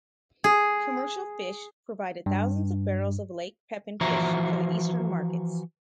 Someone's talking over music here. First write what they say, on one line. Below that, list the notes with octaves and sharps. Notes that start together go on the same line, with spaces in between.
Commercial fish provided thousands of barrels of Lake Pepin fish for the eastern markets.
G#4
G2
E3 F3 F#4 C5 E5 A#5